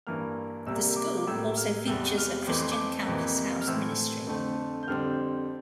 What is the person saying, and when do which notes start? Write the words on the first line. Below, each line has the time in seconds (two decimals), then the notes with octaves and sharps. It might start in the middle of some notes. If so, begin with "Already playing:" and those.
The school also features a Christian Campus House ministry.
0.07 G2 E3 A#3 F6
0.66 C2 C3 G3 A#3 E6
0.96 D6
1.17 D6
1.27 A2 G3 A#3 E6
1.57 F6
1.86 E2 C3 G3 E6
2.18 F6
2.46 F2 E3 A3 C4 D6
2.59 C6
2.72 D6
3.07 F2 C3 E3 A#3
3.61 F6
3.67 A2 E3 A3 C4 E6
4.27 F2 D3 A3 C4
4.83 G6
4.88 F2 D3 G3 C4 F6